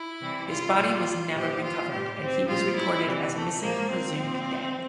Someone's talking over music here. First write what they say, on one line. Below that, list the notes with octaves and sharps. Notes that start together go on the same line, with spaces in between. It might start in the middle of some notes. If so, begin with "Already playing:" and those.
His body was never recovered and he was recorded as missing presumed dead.
Already playing: E4
C3 E3 G3
F4
A#2 G3 F4
A#2 F3 G4
F4
A2 G3 G4
C4
A#2 F3 F4
E4
C3 E3 G3
A3
A#2 F3 A#3
C4
A#2 F3